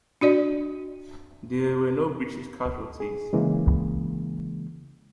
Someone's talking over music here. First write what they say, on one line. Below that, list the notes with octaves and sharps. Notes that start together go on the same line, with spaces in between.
There were no British casualties.
D4 F#4 D5 D#5
G#4
C#3 E3 G#3 A#3